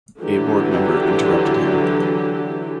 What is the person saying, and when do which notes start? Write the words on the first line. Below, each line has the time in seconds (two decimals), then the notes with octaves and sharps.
A board member interrupted him.
0.20 D3 E3 F#3 G4